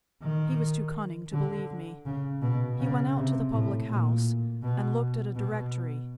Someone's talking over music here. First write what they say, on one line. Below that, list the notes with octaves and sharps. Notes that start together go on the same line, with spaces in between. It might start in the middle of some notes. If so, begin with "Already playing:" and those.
He was too cunning to believe me; he went out to the public-house and looked at a directory.
D#3
D3
C#3
B2
C#3
C3
A2
A#2
B2
B2